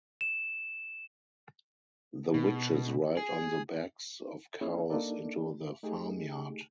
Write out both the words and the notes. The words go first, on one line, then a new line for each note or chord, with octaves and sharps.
The witches ride on the backs of cows into the farmyard.
E7
B2
G#4
A#3 C#4 E4 G#4
A#3 D4 D#4 A4 D5
A3 D#4 G4 G#4